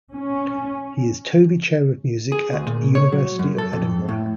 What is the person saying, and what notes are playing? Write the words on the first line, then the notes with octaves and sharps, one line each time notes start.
He is Tovey Chair of Music at University of Edinburgh.
C#4
G#4
D2
A#2
C#5
F#3
F#2
A4
F2
A2